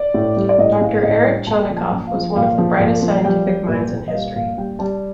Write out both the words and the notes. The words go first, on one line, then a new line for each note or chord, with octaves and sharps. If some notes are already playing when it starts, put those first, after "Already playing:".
Doctor Eric Chanikov was one of the brightest scientific minds in history.
Already playing: D5
A2
G3
D5
A2 D#5
A2 F5
A2 D#5
G3 G5
A#2 A5
F3
A5
A#2
F5
F3
A#2 F5
F3
A#2
F3
G3 G5
G3
A#2
A#2
D#5
G3 F5
A#2 F5
G3 G5
G3 A5